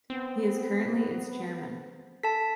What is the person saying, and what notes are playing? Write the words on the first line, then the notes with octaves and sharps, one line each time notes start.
He is currently its chairman.
B3 C4
A4 A5 B6